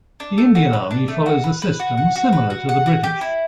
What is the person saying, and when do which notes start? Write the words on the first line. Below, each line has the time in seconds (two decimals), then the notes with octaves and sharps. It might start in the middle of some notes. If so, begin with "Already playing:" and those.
The Indian Army follows a system similar to the British.
0.20 D4
0.38 A3
0.55 F#4
0.73 B4
0.91 D4
1.08 A3
1.26 F#4
1.44 B4
1.62 B4
1.80 F#4
1.97 F#5
2.16 F#4
2.33 B4
2.50 F#4
2.69 F#5
2.86 F#4
3.04 G4
3.21 E4